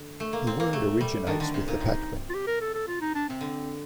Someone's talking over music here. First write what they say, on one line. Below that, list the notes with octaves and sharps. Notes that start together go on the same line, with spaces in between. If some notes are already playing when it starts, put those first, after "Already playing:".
The word originates with the Patwin.
Already playing: D3
A3
A#3
C4
A#3
A3
G3
D#3 D4
D3 D4
C3
A#2 D#4
C3
F4
G4
A#4
A4
A4
F4
D#4
D4
C3 C4
D3